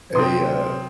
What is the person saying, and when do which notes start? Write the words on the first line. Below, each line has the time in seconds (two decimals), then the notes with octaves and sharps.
a, uh
0.15 C3 F#3 C4 C6 D#6